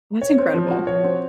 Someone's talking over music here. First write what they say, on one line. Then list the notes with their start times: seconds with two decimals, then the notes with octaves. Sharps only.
That's incredible.
0.22 C#5
0.38 C4
0.54 F3
0.71 F#4
0.87 C#5
1.04 C4